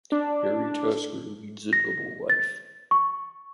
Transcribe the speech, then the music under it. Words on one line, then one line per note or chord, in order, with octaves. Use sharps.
Harry Tasker leads a double life.
D4
A#6
A6
C#6